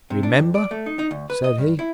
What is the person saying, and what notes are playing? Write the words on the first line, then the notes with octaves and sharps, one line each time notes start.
"Remember!" said he.
C3
D4
F2
D5
A3
D#4
D#4
D2
B4
D#5
G2
E4